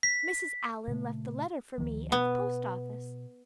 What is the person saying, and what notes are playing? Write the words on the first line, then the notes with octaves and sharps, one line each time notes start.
Mrs. Allan left the letter for me at the post office.
B6
A#2 C#3 A3
D2 D#3 F3
B2 B3